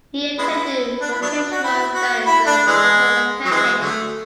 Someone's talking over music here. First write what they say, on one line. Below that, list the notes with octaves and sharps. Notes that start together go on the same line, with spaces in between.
He attended vocational studies in motor mechanics.
G#3 B3 E4
D4
E4
F#3 B3 D4
F#4
E4
F#4
E4
D4
E3 G#3
F#3
E3 G#3
D3 F#3 A3